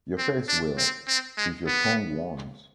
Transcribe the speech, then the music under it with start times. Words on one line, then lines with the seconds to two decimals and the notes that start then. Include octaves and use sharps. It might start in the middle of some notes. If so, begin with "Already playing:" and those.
Your face will, if your tongue won't.
0.18 C4
0.48 D4
0.78 C4
1.08 C4
1.37 G#3
1.67 B3